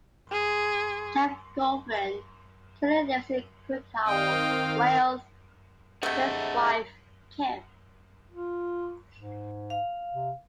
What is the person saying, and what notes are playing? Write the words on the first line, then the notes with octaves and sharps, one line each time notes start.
Jeff Gulvin currently lives in Crickhowell, Wales, with his wife Kim.
G#4
D#3 C4 D#5 F5 G5
C3 A3 G#4 D#5 F#5
F4
G#2
F5
C3